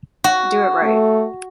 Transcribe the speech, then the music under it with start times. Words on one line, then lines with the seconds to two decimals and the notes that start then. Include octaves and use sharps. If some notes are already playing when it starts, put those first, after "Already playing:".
Do it right.
0.24 F#4
0.83 A3